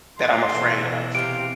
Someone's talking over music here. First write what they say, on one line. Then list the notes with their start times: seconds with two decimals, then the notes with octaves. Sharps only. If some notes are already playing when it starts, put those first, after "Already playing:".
that I'm afraid of.
0.19 A3 C6
0.50 B2 E3 A4
1.15 C3 C4 G4 F5 D7